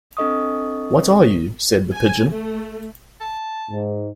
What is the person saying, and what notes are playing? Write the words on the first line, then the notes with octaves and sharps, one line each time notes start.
What are you?’ said the Pigeon.
C4 D4 A4 D#5 C#6 D#6
G#5
A3
A5
G#2